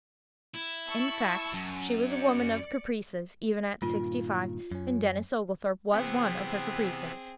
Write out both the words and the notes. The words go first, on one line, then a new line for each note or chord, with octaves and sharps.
In fact, she was a woman of caprices even at sixty-five, and Denis Oglethorpe was one of her caprices.
E4
A5 C#6 E6
F#2
D5 C#7
G2 A#2 D#3 F4
F#2 C#4
C3 E3 B3 C4 G#4